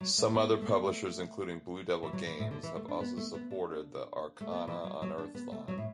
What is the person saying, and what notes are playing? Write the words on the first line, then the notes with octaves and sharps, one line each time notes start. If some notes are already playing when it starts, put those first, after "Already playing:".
Some other publishers, including Blue Devil Games, have also supported the "Arcana Unearthed" line.
F#3
A3
B3
A3
A3
B3
A3
E3
F#3
E3
A2
D3
E3
A3
D4
B3
A3
B3
D4
A3
B3
E3
F#3
F#3
D4
B3
A3
F#3
A2